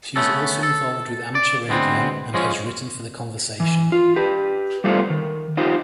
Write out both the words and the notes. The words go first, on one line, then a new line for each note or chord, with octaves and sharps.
She is also involved with amateur radio and has written for The Conversation.
A3 B3 C#4 A4
A4
D5
D2 G#3 B3 C4
F3 G#3 C#4
E3
F4
G4 B4
G3 A3 B3 F4 A4 C5
D#3
D#4 F4 G4 C5